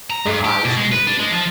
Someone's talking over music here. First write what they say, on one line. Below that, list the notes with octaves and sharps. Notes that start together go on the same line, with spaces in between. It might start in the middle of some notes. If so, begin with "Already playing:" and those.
Her eyes twinkled.
A#5
G2
G4
B2
G#3
B4
D4
G#3
F3